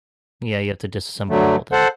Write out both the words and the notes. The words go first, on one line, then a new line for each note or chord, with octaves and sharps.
Yeah, you've to disassemble the whole thing.
D3 F#3 A3
A4 C5 F#5